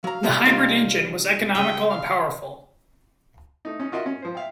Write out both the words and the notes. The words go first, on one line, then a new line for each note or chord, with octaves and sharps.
The hybrid engine was economical and powerful.
F#3 F5 A#5
G#2 B2 G3 E4 F4 A4
C3 G3 A#3 C#4 D#4 F4
C#3 D#5 E5 G5
F5
A3 D#4
C#4 D#4
F4 F#4 A#4 D#5 E5
C#4
F3 C5
E5 F5 G5